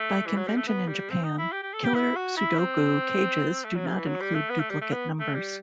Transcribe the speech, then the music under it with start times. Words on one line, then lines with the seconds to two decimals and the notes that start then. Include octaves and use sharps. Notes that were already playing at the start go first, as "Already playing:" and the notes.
By convention in Japan, killer sudoku cages do not include duplicate numbers.
Already playing: A3
0.26 E3
0.37 F#3
0.47 G3
0.57 A3
0.67 B3
0.88 G3
1.10 C4
1.24 D#4
1.38 E4
1.52 G4
1.63 G4
1.74 A4
1.84 G4
1.95 E4
2.16 F#4
2.37 E4
2.59 C4
3.65 A3
3.75 F#3
3.86 C3
3.96 E3
4.07 F#3
4.21 G3
4.35 A3
4.50 B3
4.60 A3
4.70 G3
4.81 A3
4.92 B3
5.20 A3
5.35 G3